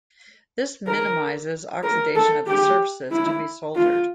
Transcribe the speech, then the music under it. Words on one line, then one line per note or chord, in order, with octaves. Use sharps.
This minimizes oxidation of the surfaces to be soldered.
A#4
A#4
A4
G4
E4
F4